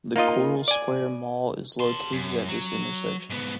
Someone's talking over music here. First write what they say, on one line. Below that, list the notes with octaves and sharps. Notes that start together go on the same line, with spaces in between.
The Coral Square mall is located at this intersection.
A#3 D#4 F4 D#5
D5 G#5
A5 C6
F#2
F#3
G#2 B3